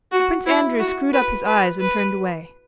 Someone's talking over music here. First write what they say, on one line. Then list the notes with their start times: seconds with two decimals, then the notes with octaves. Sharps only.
Prince Andrew screwed up his eyes and turned away.
0.12 F#4
0.46 E4
0.79 F#4
1.13 B4
1.47 B4
1.80 B4